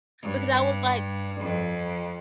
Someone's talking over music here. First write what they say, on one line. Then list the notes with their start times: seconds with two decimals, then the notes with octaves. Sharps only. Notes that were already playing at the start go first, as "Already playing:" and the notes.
because I was like
0.22 G2
1.40 F2